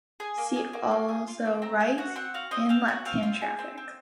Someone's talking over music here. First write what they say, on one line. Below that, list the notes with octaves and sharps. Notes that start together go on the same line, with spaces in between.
See also Right- and left-hand traffic.
G#4 G#5
A#3
G#4 G#5
A#3
A#3
G#4
F4
A#3
C4 A#5
C4 G#5
F#4 F#5
C4 F#5
F#4 F5
C4 D#5
C4 F5
F#4
C4 F5
F4
G#4
C4
C4